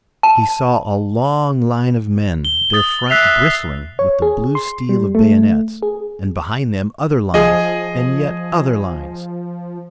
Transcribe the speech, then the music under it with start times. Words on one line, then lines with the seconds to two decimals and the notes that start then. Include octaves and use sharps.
He saw a long line of men, their front bristling with the blue steel of bayonets, and behind them other lines and yet other lines.
0.23 A5
2.45 G7
2.73 D#6 A6
3.10 E5 F#6 C7 F7
3.99 C#5
4.22 G#4
4.55 C6
4.89 G3
5.15 A3
5.82 G#4
7.34 F3 G#4 D#5